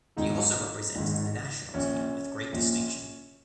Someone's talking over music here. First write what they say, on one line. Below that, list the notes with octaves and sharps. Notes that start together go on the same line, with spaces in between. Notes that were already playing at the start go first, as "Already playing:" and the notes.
He also represented the national team with great distinction.
G#1 G#2 D#3 D#4
G#1 G#2 D#3
A#1 A#2 C#4
A#1 A#2